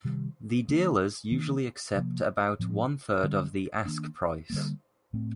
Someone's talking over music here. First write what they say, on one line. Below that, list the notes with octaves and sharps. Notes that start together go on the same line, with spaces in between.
The dealers usually accept about one third of the ask price.
C3 D#3 G3
D#3 A#3 D4
D#3 A#3 D4
C3 F3 A#3
A2 F3 C4
D3 G3 C4
D#3 A#3 D4
D3 G3 A#3
A2 A3 C4